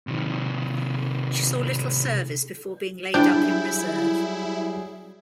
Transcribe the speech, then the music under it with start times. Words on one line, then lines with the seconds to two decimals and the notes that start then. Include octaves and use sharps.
She saw little service before being laid up in reserve.
0.07 C3 D#3
3.14 F#3 G3 D4 E4 G#4 G5 G6